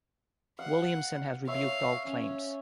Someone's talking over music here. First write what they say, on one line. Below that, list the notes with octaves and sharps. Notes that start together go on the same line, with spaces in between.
Williamson has rebuked all claims.
F5 F#5
C#5 E5 F5
C#4